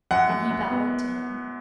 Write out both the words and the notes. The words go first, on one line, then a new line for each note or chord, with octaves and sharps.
And he bowed to him.
F#2 F#5
F#2
F#2
B3